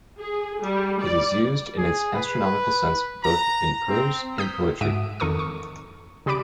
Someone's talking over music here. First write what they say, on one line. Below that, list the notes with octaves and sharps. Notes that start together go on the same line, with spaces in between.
It is used in its astronomical sense both in prose and poetry.
G#4
G3
D5
G#4
B4
A#5
C4
D#6 G6 B6
G#2 F#4 E5 D#6 D7
F2 D#3 A4 A#4 C#6 D#6
C#6
C#3 G4 D5 B5 D6 D7